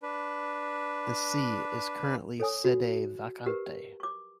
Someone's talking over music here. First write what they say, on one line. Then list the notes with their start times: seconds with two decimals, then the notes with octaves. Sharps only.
The see is currently sede vacante.
0.03 D4 B4
2.40 A4 C#5 G#5 D#6
2.64 F#4
3.46 G4 A#4 B4
4.00 C#6 D6